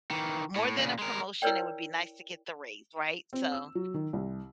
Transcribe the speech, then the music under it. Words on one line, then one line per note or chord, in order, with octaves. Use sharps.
More than a promotion, it would be nice to get the raise, right, so,
D#3 E3
A2
A#2 C#3
G#3 A#4
E4 A#4 B4 C#5 D5 G5
C4
E6
F#3
D#3
C2